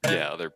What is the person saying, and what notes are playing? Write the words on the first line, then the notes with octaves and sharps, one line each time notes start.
Yeah, other
D#3
E3